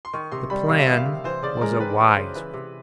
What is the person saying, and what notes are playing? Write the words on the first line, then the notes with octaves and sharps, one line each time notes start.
The plan was a wise one.
C6
D#3 C#6
C3 C6
G3 B5
C3 F5
E5
D#3 F5
F5
C3
E3 C5
C#3 D5
G#3 A#4
C4 B4
E3
C5
C#3
E3 B4
C3